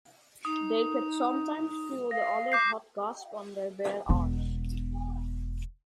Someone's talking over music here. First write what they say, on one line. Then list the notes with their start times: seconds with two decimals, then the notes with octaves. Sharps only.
They could sometimes feel the other's hot gasps on their bare arms.
0.45 D#4 D#6
2.11 F5 A#6
2.52 D6 G6 C7
4.09 E1 B3